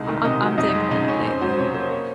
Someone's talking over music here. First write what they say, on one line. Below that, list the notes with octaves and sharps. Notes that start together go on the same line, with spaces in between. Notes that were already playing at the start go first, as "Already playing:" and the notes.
I'm I'm I'm digging that lately.
Already playing: C2 G#3 D#4
D#3
C3 D#4 D#5
F#3
F2 D#4 D#5
G#3
C#3 D#4 D#5
C#4 C#5
F2 C5
F#3 C5
C5
C3 C#5
A#3 C5
C#5